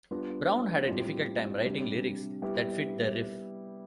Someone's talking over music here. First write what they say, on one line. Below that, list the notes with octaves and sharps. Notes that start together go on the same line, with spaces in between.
Brown had a difficult time writing lyrics that fit the riff.
G3 B3 D4 F4
A2 G3 C4 F4
C3 G3 D4
G3 B3 E4 G4